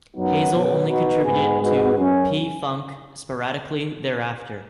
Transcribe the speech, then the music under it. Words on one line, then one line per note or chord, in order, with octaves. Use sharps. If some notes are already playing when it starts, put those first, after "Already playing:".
Hazel only contributed to P-Funk sporadically thereafter.
F#2 F#3 B3 D#4 F#4
B2 F#3 B3
B2 B3 D#4 F#4 B4
G#2 G#3 B3 G#4 B4
G#2 G#3 B3 F#4 B4
F#2 F#3 C#4